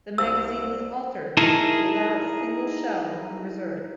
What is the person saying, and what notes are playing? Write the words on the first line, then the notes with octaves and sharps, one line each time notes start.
The magazine was altered to allow a single shell in reserve.
C2 E6
D#4 E4 G#4 A#4 A5